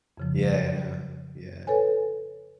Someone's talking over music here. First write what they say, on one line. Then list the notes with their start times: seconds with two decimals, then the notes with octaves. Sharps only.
Yeah, I know. Yeah.
0.18 F2 C#3 F3
1.67 A4 B4 C#5 G#5